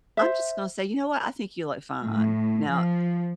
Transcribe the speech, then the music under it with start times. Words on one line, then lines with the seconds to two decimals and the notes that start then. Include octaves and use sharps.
I'm just gonna say, "You know what? I think you look fine." Now,
0.17 C5 E5
2.09 A2
2.69 F3